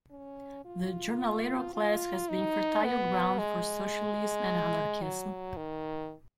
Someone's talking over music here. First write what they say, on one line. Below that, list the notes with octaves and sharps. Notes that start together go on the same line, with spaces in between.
The "jornalero" class has been fertile ground for socialism and anarchism.
C#4
F4
F4
D#4
B3
G#3
F#3
D#3